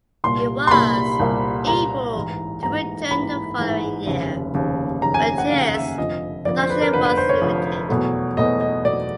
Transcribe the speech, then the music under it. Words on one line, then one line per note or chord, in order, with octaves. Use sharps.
He was able to return the following year, but his production was limited.
C2 A#2 G3 A#3 C6
C6
C2 A#2 G3 A#3 B5
C2 A#2 G3 A#3
C2 A#2 G3 A#3 A#5
A1 G#2 E3
A1 G#2 E3 A#5
A1 G#2 E3 B5
A1 G#2 E3
F1 D#2 C#3
F1 D#2 C#3
F1 D#2 C#3 A#5
G#5
F#5
F1 D#2 C#3 F5
E5
F1 F2 D3 F3 D#5
F1 F2 D3 F3 D5
C5
B4
A#4
F1 F2 D3 F3 B4
B4
C5
C#5
F1 F2 D3 F3
E2 B2 F#3 A3
E2 B2 F#3 A3 D#5
D#5
E2 B2 F#3 A3 D5